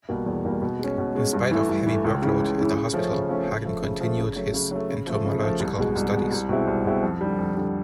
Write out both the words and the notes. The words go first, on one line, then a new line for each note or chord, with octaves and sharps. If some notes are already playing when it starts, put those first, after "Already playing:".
In spite of the heavy workload at the hospital, Hagen continued his entomological studies.
B2 G3 A#3
E2
B2 G3 A#3
B2
G#3 C#4
B2
G#3 C#4
G2
E3 A3
G2
E3 A3
C#2
C#3 E3
C#2
C#3 E3
C#3
F3 A3 C#4
C#3
F3 A3 C#4
C#3
F3 A3
C#3
F3 A3
C#3
F#3 A3
C#3
F#3 A3
C#3
F3 A3
C#3
F3 A3
C2
B2 G#3
C2
B2 G#3
C2
B2 G#3 C4 E4
C2
B2 G#3 C4 E4
F2
D3 G3
F2
D3 G3